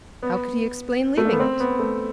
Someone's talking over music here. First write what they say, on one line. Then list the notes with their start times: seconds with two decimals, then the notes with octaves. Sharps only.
How could he explain leaving it?
0.23 B3
1.17 A3
1.25 A#3
1.32 B3
1.40 C4
1.60 B3
1.79 A3